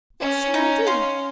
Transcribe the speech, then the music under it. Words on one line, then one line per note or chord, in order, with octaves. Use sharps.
What shall I do?
C#4
D#4
F5 C6